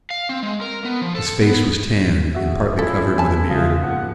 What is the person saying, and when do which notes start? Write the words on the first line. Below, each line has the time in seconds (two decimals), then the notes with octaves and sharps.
His face was tanned and partly covered with a beard.
0.10 F5
0.29 C4
0.42 G#3
0.61 A#4
0.85 B3
1.01 F3
1.15 A4
1.42 B3
2.35 F#4 G#4 E5
2.79 C#4 E4 F4 A4
3.18 C#3 B3 G#5 A5
3.49 C#2 F4 G#4 E5 F5 D#6
3.80 C2 G#2 B2 F3 A#3 F#5